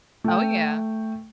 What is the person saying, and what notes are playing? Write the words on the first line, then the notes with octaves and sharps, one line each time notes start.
Oh, yeah.
A3 G5